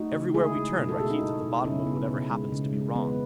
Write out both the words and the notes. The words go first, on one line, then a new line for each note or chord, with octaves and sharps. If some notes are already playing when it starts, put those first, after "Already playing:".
Everywhere we turn, Rakkeed's at the bottom of whatever happens to be wrong.
Already playing: A3 D#4 F#4
C#3
G#3 E4 G#4
D#3
B2
F#4 A4
B2 E4 G#4
D#4 F#4
B2
B2
C#3 C#4 E4
C#3 B3
B2
G#3
C#3
G#3
E3 B3